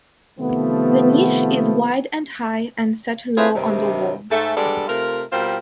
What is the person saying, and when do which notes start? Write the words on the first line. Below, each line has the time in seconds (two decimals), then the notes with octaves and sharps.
The niche is wide and high and set low on the wall.
0.39 C3 D#3 F3 A3 B3
3.38 C4 E4 F4 G#4 B4 C#5
3.55 G2 C3 D#3
4.31 G#2 A3 A4
4.57 G3 G#3 B3 D4 A4
4.88 C3 A3 F4 A#4
5.32 B2 G3 C4 F4 A#4 C5